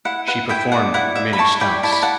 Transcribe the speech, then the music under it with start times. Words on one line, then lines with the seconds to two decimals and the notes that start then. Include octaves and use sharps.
She performed many stunts.
0.05 E4 F#5
0.27 B4 F#5
0.49 E4 E5 G5
0.72 D5 F#5
0.94 E4 F#5
1.15 B4 E5
1.33 B5
1.38 E4 A5 C#6
1.61 D5 G5 B5
1.83 E4 A5
1.92 B5
2.02 F#5 A5